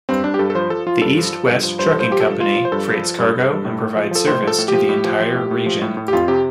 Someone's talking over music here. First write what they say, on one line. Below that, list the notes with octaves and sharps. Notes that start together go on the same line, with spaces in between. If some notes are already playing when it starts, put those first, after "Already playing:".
The East-West Trucking company freights cargo and provides service to the entire region.
G2 C4
G2 D4
G4
G2 A4
A4
F3 C5
F3 A4
F3 F4
G2 A4
F3
F3
G2
F3
G2 C5
F3 A4
C5
F3 G4
A4
G2
F3 F4
F3
C5
G2 A4
F3
F3
G2
G2
G2
A2
A2
F3
F3 A4
A2 C5
F3 A4
A2
G4
F3
A2
F3
F3
A2
A2
F3
A2
A2
G4
F2 F4
C3 G4